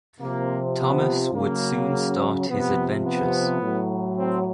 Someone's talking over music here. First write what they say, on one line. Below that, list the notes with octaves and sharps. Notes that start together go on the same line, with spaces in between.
Thomas would soon start his adventures.
C3 F3 A#3
B3
C#3 F#3 A#3
C3 F3 B3
B3
A2 F#3
C4